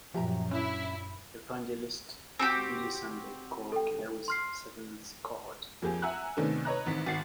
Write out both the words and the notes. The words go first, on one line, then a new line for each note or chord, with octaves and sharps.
Evangelist Billy Sunday called Lewis "Satan's cohort".
F#2 A#2 F3 G4 E5 A#5
C#4 D4 E4
C4 F#4 G4
A4 G5
C6 F6 C7
F2 A#3 C4 G4 G#4
E5 F#5 G#5 A#5 E6 F#6
C3 D#3 A3 B3 C#4 D4
B4 C#5 D#5 A#5 F#6
A1 D#3 C4 B6
G#1 F#5 A6 C7